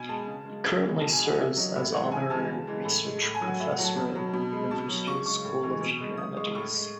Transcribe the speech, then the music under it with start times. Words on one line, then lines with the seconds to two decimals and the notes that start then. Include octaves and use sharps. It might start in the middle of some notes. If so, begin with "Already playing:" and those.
He currently serves as Honorary Research Professor in the University's School of Humanities.
Already playing: B2 G#5
0.09 G#3 A5
0.27 C#3
0.45 G#3
0.64 C#3
0.82 E3 G#3
1.00 B2 A5
1.13 G#5
1.20 G#3
1.25 F#5
1.38 C#3 E5
1.56 F#3 D#5
1.75 A2 E5
1.93 E3 G#3 F#5
2.11 C#3 G#5
2.30 E3 G#3 A5
2.49 C#3
2.67 E3 G#3
2.85 A2
3.04 G#3
3.23 A2
3.35 G#5
3.41 F#3
3.47 F#5
3.60 A2 E5
3.72 F#5
3.79 F#3
3.84 A5
3.96 B2 A5
4.15 F#3
4.33 B2
4.52 G#3
4.71 B2 A5
4.88 F#3
5.07 C#3 C#6
5.26 G#3 C#6
5.44 A2
5.63 E3 G#3
5.80 B2
6.00 G#3
6.17 C#3 D#6
6.36 G#3 C#6
6.55 A2 C#6
6.73 G#3